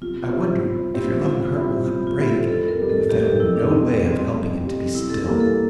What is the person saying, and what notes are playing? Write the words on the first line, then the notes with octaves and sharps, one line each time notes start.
I wonder, if your loving heart will not break, you have found no way of helping it to be still!
C3 F4
G3 C4 E4
C3
G3 C4 E4
C3 F4
G3 C4 E4
C3 G4
F4
G3 C4 E4
A4
F2 A4
A#4
C3 G3
A4
F2 G4
G4
C3 G3 E4
D4
F2 C4
C3 G3
C4
F2
C3 G3
C3 E4
A4
E3 G3 A#3 A#4
A4